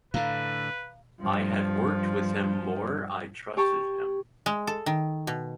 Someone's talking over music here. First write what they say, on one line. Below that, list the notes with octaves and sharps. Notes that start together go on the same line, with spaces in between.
I had worked with him more; I trusted him.
A2 D3 B4 F5 A#5
G2 F3
G4 C#5 A5 C#6
G#3
A4
D#3
B2